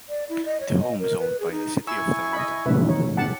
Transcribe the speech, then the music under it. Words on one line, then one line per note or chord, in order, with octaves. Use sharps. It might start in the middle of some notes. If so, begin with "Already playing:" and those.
The home is owned by the City of Toronto.
D5
E4
D#5
C#5
D#5
A#4
B4
G#4
D#4
E4 G#5 C#6 E6
D#5 E5 B5
B4 E5
D#4 C#5
G4 F#5 A5